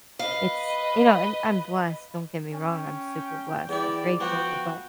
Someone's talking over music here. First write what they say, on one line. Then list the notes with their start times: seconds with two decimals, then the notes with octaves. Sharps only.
it's You know, and I'm blessed, don't get me wrong, I'm super blessed, I'm grateful, but
0.19 B4 D#5 F5
2.53 C#4 G5
3.69 E2 E4 D5
4.20 F3 B3 F#4 G5